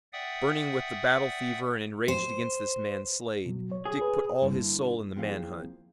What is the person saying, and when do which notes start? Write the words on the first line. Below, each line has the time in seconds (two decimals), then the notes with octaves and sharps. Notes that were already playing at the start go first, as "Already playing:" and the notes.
Burning with the battle fever, and enraged against this man Slade, Dick put all his soul in the man-hunt.
0.13 D5 E5 F#5 G5 D#6
2.08 C5
3.46 B2 F#3
3.72 C#5
3.85 G#4
4.01 B4
4.42 G2 D3 A#3 E4
5.16 D#2 F3 C4 E4 G#4 F5